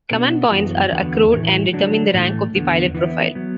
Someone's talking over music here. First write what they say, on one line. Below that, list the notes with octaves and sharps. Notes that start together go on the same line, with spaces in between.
Command points are accrued and determine the rank of the pilot profile.
B2 B3 D4 F#4
F#2 E3 B3 F#4
E2 D3 B3 F#4 B4
A2 E3 A3 E4
D3 F#3 D4 F#4
A2 E3 A3
E2 D3 B3
E3 B3 E4
F#3 B3